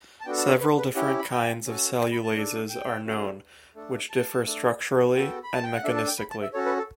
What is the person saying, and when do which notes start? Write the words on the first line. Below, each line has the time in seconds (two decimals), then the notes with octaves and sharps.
Several different kinds of cellulases are known, which differ structurally and mechanistically.
0.21 A5
0.25 B3 D4 F#4 A4 G5
0.38 A5
0.49 C#5
0.60 B4
0.78 B4
0.96 C#4 E4 G4 F#5
1.07 G5
1.19 B5
1.31 G5
1.65 C#4 F#4 A4
2.00 G5
2.12 B5
2.23 A5
2.35 D4 A4
2.70 G5
3.05 A3 C#4 F#4 A4
3.75 A3 D4 A4
4.10 A5
4.45 A3 D4 A4
5.14 B3 F#4 A4 G5
5.43 B5
5.54 A5
5.63 G5
5.73 F#5
5.84 D4 A4 E5
5.96 A5
6.07 G5
6.19 B5
6.31 A5
6.42 E5
6.54 C#4 F#4 A4 C#5
6.66 B4
6.78 A4